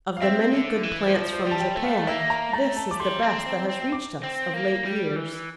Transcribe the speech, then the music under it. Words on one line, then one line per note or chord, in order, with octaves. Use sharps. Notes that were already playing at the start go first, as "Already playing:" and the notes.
Of the many good plants from Japan, this is the best that has reached us of late years.
F5
C4 E5
D3
E3
C5
F3 D5
C5
D5
G3
A5
G5
A3
F5
A#3 E5
A#5
A3 A#5
A5
D6
G3 C6
C4
C4
C4
D6
C4
A#3
G3
E3